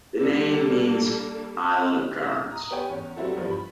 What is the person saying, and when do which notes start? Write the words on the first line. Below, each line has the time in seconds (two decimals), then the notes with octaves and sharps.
The name means "island of currents".
0.17 G3 A#3 D4 A4
2.52 A#5 D#6
2.71 B3 G4 B4 C#5 G5 G#5
2.90 E2 C#4
3.16 F#3 G3 C4 E4 F#4 A4
3.36 E2 G2 F3 G3 B3
3.50 B5